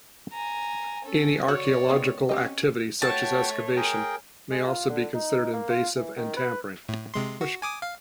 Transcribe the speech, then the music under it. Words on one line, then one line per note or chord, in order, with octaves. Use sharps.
Any archaeological activity, such as excavation, may also be considered invasive and tampering.
G#5 A#5
C#4 A4
F#4 C#5 D5
G#3 B3 C4
C4 C#4 G4 D#5
A3 F#4 C#5 G5 A5
G#4 A#4 G5
G#3
F4
D3
D#4
A#3
F4
E3
D#3
B4
A2
C3 G#3 C6
F#4
G#5 D6 D#6
F5